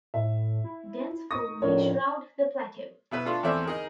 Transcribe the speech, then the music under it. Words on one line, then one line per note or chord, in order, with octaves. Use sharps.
Dense fog may shroud the plateau.
A2 E5
E4
D#4 C#6 D#6 A#6
F2 A2 C#4 D4 A#4 C#5
B2 E4 B4
A3 D4 F4 A4
E2 A3 C4 E4 D5 E5
D#4 G#4 A#4